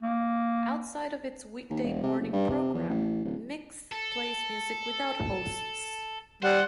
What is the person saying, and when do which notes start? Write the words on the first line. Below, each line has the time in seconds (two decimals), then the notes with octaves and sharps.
Outside of its weekday morning programme, Mix plays music without hosts.
0.02 A#3
1.70 D#2
1.84 E1
2.03 C3
2.19 F#1
2.33 G2
2.50 C3
2.74 E2
2.89 A1
3.25 D1
3.92 A4
6.43 G3 C5 F#5